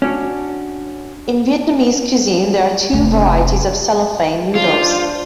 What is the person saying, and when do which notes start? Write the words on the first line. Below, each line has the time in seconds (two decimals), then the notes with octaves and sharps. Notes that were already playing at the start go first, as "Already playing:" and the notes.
In Vietnamese cuisine, there are two varieties of cellophane noodles.
0.02 C#4 D4 F#4
2.93 F1 A3
4.55 D4 F4 C5